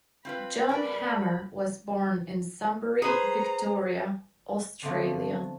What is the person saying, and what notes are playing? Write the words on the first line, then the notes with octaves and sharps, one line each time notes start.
John Hammer was born in Sunbury, Victoria, Australia.
C4 F4 B4 B5
A#4 B4 D5
G#4 B4 C5 A#5
D3 F3 A3 B3 C4 D4